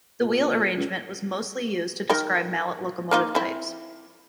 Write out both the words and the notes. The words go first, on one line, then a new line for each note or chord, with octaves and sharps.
The wheel arrangement was mostly used to describe Mallet locomotive types.
A#2
C#2
D#3 A#4 G5
A#3 D#4 F4
C4 E4